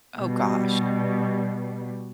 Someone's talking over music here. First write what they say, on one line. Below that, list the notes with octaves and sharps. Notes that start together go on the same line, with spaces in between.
Oh, gosh.
B2 G3